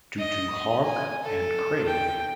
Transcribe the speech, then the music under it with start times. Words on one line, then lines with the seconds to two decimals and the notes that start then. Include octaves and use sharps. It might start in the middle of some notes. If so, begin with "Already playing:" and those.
Due to Hogg and Craig.
0.19 D#5
0.83 G#5
1.24 A4
1.86 G5